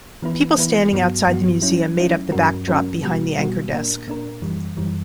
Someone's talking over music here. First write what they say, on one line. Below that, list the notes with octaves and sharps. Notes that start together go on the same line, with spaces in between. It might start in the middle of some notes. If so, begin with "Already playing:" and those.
People standing outside the museum made up the backdrop behind the anchor desk.
E3 B3 E4 B4
E3 B3 E4 B4
G2 F#3 B3 F#4
G2 F#3 B3 F#4
F#3 C#4 E4
F#3 C#4 E4
G2 F#3 C#4 F#4 A#4
G2 F#3 C#4 F#4 A#4
B2 G3 B3 F#4
B2 G3 B3 F#4
A#2 A#3 D4 A#4
A#2 A#3 D4 A#4
F#2 E3 G3
F#2 E3 G3